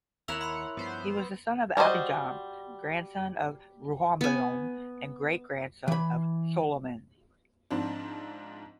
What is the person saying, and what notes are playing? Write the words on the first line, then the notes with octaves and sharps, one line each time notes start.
He was the son of Abijam, grandson of Rehoboam, and great-grandson of Solomon.
D#2 E4 A#4 C#5 E6 F#6 F#7
F#5 B5 C6 F7
G2 F3 B3 C5
G3 F#4 A#4 C5 D#5
B3 G#5
E3 B5
G#2 F3 C4 D4